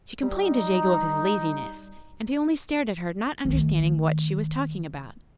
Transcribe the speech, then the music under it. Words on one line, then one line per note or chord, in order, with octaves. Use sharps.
She complained to Jegu of his laziness, and he only stared at her, not understanding what she was talking about.
G3 D#4
D#3 A3